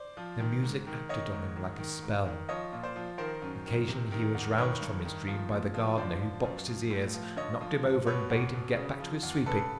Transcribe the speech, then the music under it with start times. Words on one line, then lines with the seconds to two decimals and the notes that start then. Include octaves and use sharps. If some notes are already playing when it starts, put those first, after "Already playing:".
The music acted on him like a spell. Occasionally he was roused from his dream by the gardener, who boxed his ears, knocked him over, and bade him get back to his sweeping.
Already playing: C5 D5
0.17 F3
0.40 D#3
0.63 G#2
0.87 D#3
1.09 D#3 C#5 D#5
1.32 G#2
1.56 D#3
1.79 D#3
2.02 G#2
2.25 D#3
2.49 F3 C#5 D#5
2.72 A#2
2.83 C5 D5
2.96 F3
3.18 D#3 A#4 C5
3.42 F#2
3.65 D#3
3.88 C3
4.12 D#3
4.35 E2
4.58 D#3 B4 C#5
4.81 G2
5.05 D#3
5.28 F3
5.51 A#2
5.74 F3
5.98 D3 C5 D5
6.21 F3
6.44 F#2
6.68 F3
6.90 A2
7.13 F3
7.37 D3 C#5 D#5
7.61 F3
7.83 G2
8.07 B2 B4 C#5
8.31 E2
8.54 B2
8.76 C#3
9.00 F3
9.23 E2
9.46 C#3 A4 B4